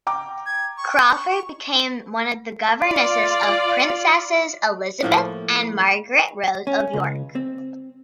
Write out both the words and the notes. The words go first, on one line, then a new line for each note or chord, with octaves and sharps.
Crawford became one of the governesses of Princesses Elizabeth and Margaret Rose of York.
G5 A#5 D6
G#6
C#6
F4 D5
A2 F3 A#3
C#4
C#2
C4